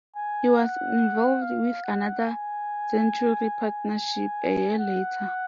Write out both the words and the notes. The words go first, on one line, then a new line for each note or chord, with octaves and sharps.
He was involved with another century partnership a year later.
G#5
F#5
F5
F#5
G#5
G#5
F#5